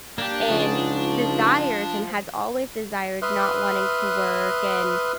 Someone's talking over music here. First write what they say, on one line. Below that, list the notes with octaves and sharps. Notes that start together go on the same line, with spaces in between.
and desires, and has always desired, not wanting to work and
A#3 D4 G4
C#2 F3 D#4 F#4 G#4
B4 E5 C6 D#6 F6 F#6